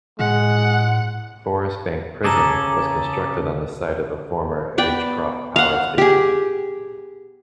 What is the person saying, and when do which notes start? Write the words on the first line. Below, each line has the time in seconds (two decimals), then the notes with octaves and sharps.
Forest Bank Prison was constructed on the site of the former Agecroft Power Station.
0.19 A2 G#3 F#5
2.24 C#3 G#4 A4 A5 A#5 D6
4.78 B3 D5 G5
5.56 F5 F#5
5.98 G4 G#4